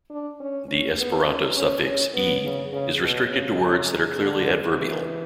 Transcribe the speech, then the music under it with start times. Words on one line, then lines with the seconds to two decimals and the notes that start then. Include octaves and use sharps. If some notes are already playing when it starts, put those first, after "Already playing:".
The Esperanto suffix "-e" is restricted to words that are clearly adverbial.
0.10 D4
0.40 C#4
0.68 C#4
0.98 B3
1.27 C#4
1.56 C#4
1.85 C#4
2.14 B3
2.43 C#3
2.73 C#3
3.01 B2
3.30 C#3
4.17 D3
4.75 E3